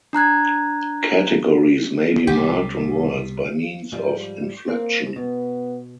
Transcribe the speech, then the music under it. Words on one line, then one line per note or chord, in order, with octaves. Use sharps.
Categories may be marked on words by means of inflection.
D4 A#5 F#6 G#6
C2 B2 G4
G#2 F3 G3
A#3 C4
B2 B3